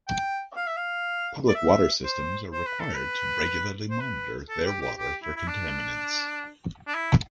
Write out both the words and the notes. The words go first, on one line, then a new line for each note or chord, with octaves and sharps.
Public water systems are required to regularly monitor their water for contaminants.
G5
F5
E5
F5
D5
E5
C5
C5
B4
A4
B4
C5
B4
A4
G4
G4
G4
E4
E4
D4
D4
E4